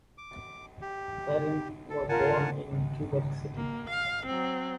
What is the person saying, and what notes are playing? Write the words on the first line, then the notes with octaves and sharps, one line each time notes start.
Parent was born in Quebec City.
D6
G4
A4
F4 A#4 F#5 G#5 A5
A#3
F5
F#3 C4